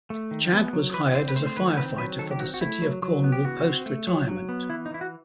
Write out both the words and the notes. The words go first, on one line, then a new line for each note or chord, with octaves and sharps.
Chad was hired as a firefighter for the City of Cornwall post retirement.
A3
D#3
B3
F#3
E3 B4
C4 C5
B4
A3 C5
C5
D#3 B4
C4 B4
F#3 B4
D#3 A4
G4
C4 F#4
F#4
A3 E4
F#3
F#3
B3
G4
E3 F#4
C4
A3
F#3
F#3
B3
E3 E4
D#4
E3 E4
F#4